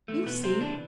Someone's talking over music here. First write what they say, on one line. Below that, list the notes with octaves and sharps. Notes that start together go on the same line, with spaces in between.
You'll see.
E2 A3
B2 B3
C3 C4
E3 D4